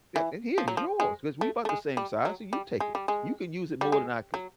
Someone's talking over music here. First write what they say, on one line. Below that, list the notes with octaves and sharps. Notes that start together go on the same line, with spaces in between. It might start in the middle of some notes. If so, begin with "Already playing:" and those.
a and, "Here's yours 'cause we about the same size, so you take it. You can use it more than I could."
E3
F3
F#3
F3
G#3
A3
A3
G#3
G3
F#3
G3
G#3
G3
G#3
G3
G#3
F#3